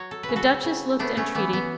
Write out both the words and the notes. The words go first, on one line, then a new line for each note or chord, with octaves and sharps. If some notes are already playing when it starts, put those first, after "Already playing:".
The Duchess looked entreaty.
Already playing: F#3 C#5
A4
B4
C#3
F#4 A4
C#3
A3 B3 D4
A3 C#4
E3 B3
B3